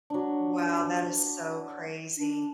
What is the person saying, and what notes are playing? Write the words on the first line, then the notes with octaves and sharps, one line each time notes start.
Wow. That is so crazy.
F#3 D4
D4